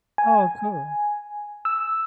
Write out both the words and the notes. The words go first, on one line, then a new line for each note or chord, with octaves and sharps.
Oh, cool.
G#5
E6